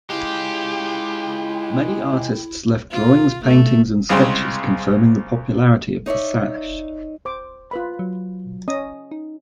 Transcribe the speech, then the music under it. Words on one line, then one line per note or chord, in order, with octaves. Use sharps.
Many artists left drawings, paintings and sketches confirming the popularity of the sash.
G#3 E4 F4 G4
F4
A3
C2 C#3 G#3 C4 C6
D#4 C#5 D5 E5
D1 C5 D6
F4 B4 B5
F#3
C#4 D#5 D#6
D#4